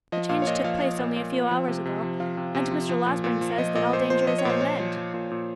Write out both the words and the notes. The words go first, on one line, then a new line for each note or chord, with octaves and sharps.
'The change took place only a few hours ago; and Mr. Losberne says, that all danger is at an end.'
F3 D#5
A#2 F5
C#5
A#2 D#5
F3 F5
F3 D#5
A#2
A#2
F3
F3
C3
C3
F3
F3 F5
C3
C3
F3
F3
A#2
A#2
F3
F3 D#5
A#2 D#5
A#2 C5
F3 C5
F3 D#5
C#5
A#2 C5
A#2 C#5
F3
F3
A#2
A#2